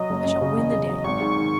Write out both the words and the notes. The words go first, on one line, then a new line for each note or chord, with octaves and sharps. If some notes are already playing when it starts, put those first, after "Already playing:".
I shall win the day.
Already playing: F#3 D#5
F#1
F#2
C#3
E2
C#3
F#3
G#1 C#6
G#2
D#3